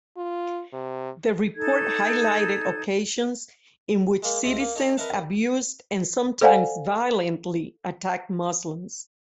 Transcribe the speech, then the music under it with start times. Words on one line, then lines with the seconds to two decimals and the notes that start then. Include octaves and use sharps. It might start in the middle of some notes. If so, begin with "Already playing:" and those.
The report highlighted occasions in which citizens abused and sometimes violently attacked Muslims.
0.17 F4
0.73 C3
1.55 D#4 A4 G#6
4.23 G#3 A#3
4.44 C#2 C3 C4 D#5
4.60 A#3
4.76 D#4 A4 C#5
4.97 A#4 B4 D#5 E5 F#5 A5
5.10 D#2
6.41 A4 C5 D5 F5 F#5 G#5